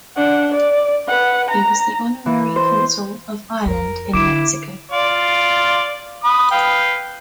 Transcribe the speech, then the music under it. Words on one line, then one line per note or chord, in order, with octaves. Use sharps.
He was the honorary consul of Ireland in Mexico.
D4 F#5
D5
B4 F#5
A#5
E3
C5
F2 A#4
D3 E4 D6 D7 E7
F4 D5
B5 D#6
B4 F5 G5